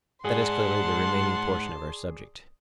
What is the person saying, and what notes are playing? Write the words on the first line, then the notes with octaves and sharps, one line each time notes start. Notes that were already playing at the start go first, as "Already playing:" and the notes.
That is clearly the remaining portion of our subject.
G#2 G#4 D5 F#5 A5 C6